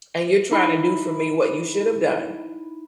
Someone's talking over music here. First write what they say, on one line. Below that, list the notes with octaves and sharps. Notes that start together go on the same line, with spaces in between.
and you're trying to do for me what you should have done
D#4 E4 B5